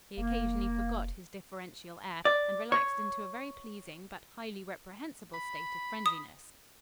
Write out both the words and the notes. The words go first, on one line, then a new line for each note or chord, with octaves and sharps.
He occasionally forgot his differential air, and relaxed into a very pleasing but highly reprehensible state of friendliness.
F1 A#3
D5
C#5
B5
D#6